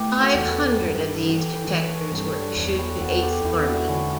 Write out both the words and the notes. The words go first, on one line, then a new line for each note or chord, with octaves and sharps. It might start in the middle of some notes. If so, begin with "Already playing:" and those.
Five hundred of these detectors were issued to Eighth Army.
Already playing: A3 E4 G4 B4
F#4 A4
E2
G4 A4 B4
G2
E3
G4
A4
B4
E3 A4 C#5
A4 C#5
G2 A4 C#5
B4 D5
E2 A4 C#5
G4 B4
E2 F#4 A4
A4
G4 B4
E2 E4 G4
D4 F#4
D3 C#4 E4